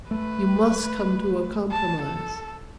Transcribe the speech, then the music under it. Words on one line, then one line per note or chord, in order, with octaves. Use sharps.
You must come to a compromise.
A3 B4
A5
A4